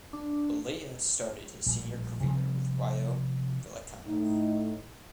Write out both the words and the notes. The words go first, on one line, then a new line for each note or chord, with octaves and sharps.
Balea started his senior career with Rayo Vallecano.
D4
A#1 A2 G3
C3 F3 G3 C4
A2 D#4